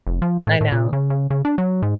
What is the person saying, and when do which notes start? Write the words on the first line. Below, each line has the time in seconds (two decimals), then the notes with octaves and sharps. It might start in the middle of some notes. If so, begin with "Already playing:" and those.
I know.
0.07 F1
0.22 F3
0.47 A2
0.61 A2
0.72 A#2
0.93 C#3
1.10 C#3
1.30 C#3
1.45 D4
1.58 F#3
1.82 G#2